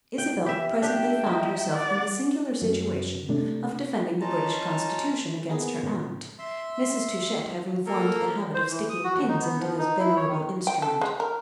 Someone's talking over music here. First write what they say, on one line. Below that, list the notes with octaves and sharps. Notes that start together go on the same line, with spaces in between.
Isabel presently found herself in the singular situation of defending the British constitution against her aunt; Mrs. Touchett having formed the habit of sticking pins into this venerable instrument.
G5
G4 E5
D4 G4 E5 G5
D#4
D5 F#5
F#2
C3 A3 D4
C#4 D#4 F4 A5 A#5
A#3 B3 G#4
A2 C#3 F3
E5 C6
A#3 A4 A#4
C5
E3
D#6
F#4
D#2
D#4
B3
F3
D#4
E4
C#5
D#3
G5
A4
G#3
A#4